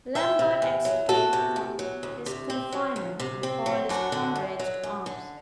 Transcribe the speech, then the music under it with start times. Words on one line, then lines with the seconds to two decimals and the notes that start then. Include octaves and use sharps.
Lambert escaped from his confinement, and called his comrades to arms.
0.15 E2 E5 G5
0.39 C3
0.62 E2
0.85 F#3
1.09 E2 F#4 A4
1.33 C3
1.56 E2
1.79 F#3
2.03 D2
2.26 C3
2.50 C4
2.72 F#3
2.96 D2
3.20 C3
3.43 C4
3.66 F#3
3.89 F#2 D4 F#4
4.12 D3
4.36 F#2
4.59 F#3
4.83 F#2
5.06 D3